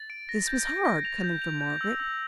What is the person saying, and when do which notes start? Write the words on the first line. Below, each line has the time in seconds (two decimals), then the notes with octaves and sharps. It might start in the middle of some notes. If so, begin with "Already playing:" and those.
This was hard, coming from Margaret.
Already playing: A6
0.10 D7
0.29 A#6
0.47 G6
0.67 A#6
0.85 A#6
1.05 F7
1.24 G6
1.42 F7
1.61 G6
1.81 E6
2.00 E6